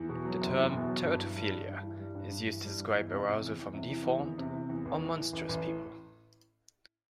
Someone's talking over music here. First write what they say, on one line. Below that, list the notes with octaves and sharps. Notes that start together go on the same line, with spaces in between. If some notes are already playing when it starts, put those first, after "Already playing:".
The term "teratophilia" is used to describe arousal from deformed or monstrous people.
Already playing: E2
B2
F#3
F#1
E2
B2
F#3
G2
E3
G3
G2
G2
E3
G3
G2
G2
E3
G3
G2
E2
C3
E3
E2
E2
C3
E3
E2
E2
C3
E3
E2
A1
A2
E3
A1
A1
A2